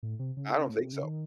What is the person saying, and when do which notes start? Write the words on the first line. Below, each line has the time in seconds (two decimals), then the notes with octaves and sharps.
I don't think so.
0.03 A2
0.19 C3
0.37 C#3
0.70 A2
0.81 C3
0.93 C#3
1.04 D#3